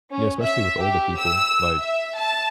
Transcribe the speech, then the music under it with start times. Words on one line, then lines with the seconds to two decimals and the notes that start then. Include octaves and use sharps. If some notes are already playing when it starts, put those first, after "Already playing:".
Yeah, especially with older people. Like,
0.10 C#4
0.40 E5
0.78 G4
1.16 E6
1.78 E5
2.18 A5